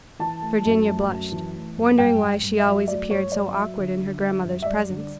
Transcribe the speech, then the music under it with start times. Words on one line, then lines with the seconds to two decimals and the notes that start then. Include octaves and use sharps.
Virginia blushed, wondering why she always appeared so awkward in her grandmother's presence.
0.19 E3 A5
0.42 A3
0.65 F#2
0.86 A3
1.09 F#2
1.32 E3
1.54 A3
1.77 F#2
1.98 G2 G5
2.21 G2
2.42 G2
2.59 E5
2.65 F#3
2.87 A3 D5
3.10 G2 C#5
3.32 F#3 D5
3.54 F#3 E5
3.76 D3
4.00 D3
4.21 G3
4.44 F#2
4.62 E5
4.66 G3 D5
4.89 D3